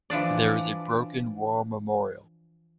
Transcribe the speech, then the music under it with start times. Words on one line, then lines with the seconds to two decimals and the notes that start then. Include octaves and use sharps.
There is a "broken" war memorial.
0.10 E3 F3 D4 D5